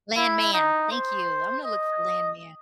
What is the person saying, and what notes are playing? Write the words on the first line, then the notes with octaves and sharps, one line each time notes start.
Landman. Thank you. I'm gonna look for Landman.
E4
D#4
C5
D#5